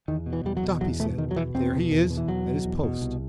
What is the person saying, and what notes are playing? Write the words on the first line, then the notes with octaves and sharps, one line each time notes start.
"Stop!" he said, "there he is at his post."
E2 D#3
B2
E3
E2 G3
F#3
B2
E2 F#3
B2 A3
E2 D#3
F#3
B2 E3
E2 C4
B2
E2
B2
E3
E2 F#3
B2
E2
B2
C2